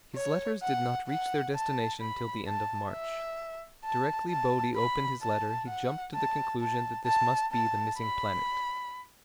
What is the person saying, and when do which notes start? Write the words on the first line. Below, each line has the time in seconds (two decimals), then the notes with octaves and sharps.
His letters did not reach their destination till the end of March. Directly Bode opened his letter he jumped to the conclusion that this must be the missing planet.
0.16 C#5
0.62 F#5
1.08 F#5
1.54 A5
2.00 B5
2.46 A5
2.92 E5
3.85 A5
4.30 A5
4.76 B5
5.22 A5
5.68 F#5
6.14 A5
6.61 A5
7.06 A5
7.52 A5
7.98 B5